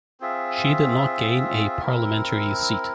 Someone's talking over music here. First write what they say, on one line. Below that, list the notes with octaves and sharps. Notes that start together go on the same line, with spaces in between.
She did not gain a parliamentary seat.
C4 F4 G#4 E5
C4 E4 A#4